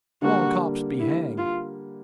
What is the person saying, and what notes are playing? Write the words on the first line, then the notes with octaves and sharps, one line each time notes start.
Small cops be hanged!
D3 G3 A#3 F#4
E4
F4